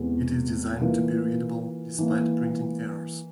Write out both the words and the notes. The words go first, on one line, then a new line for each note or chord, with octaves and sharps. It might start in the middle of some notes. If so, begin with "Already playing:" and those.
It is designed to be readable despite printing errors.
Already playing: E2 C3 E3 G#3
E3 A#3 F4 A#4
E3 A#3